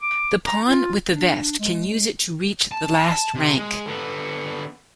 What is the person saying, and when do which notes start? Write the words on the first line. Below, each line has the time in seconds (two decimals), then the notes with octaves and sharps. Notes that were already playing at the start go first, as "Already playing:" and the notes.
The pawn with the vest can use it to reach the last rank.
0.02 D6
0.46 A#5
0.67 F4
1.12 D4
1.59 G#3
2.72 A5
3.35 C3
3.57 G#3
3.86 D3 B3